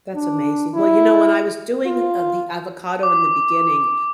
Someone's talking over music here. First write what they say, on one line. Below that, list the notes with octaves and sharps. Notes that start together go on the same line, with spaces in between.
That's amazing. Well, you know, when I was doing, uh, the avocado in the beginning,
D4
E4
F4
D6